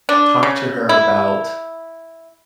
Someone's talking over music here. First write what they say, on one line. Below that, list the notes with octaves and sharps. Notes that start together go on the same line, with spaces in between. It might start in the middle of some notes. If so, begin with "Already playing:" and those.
talk to her about
D4
C#3
E4